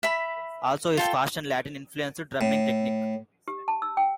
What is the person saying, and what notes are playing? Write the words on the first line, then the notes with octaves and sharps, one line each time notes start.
Also his fast and Latin influenced drumming technique.
E5 B5
F4 A4 G5
A2
G4
A5
E6
G5